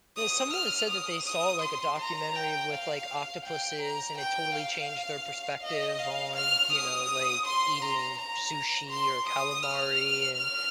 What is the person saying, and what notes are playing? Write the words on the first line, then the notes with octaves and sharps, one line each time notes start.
No, someone said that they saw, like, a documentary with, like, octopuses, and it totally changed their perspective on, you know, like, eating sushi or calamari. And
D#6
F6
D#6
D#6
C6
A#5
G5
F5
G5
A#5
G5
F5
D#5
F5
F6
D#6
C6
A#5
A#5
C6
D#6
F6
F6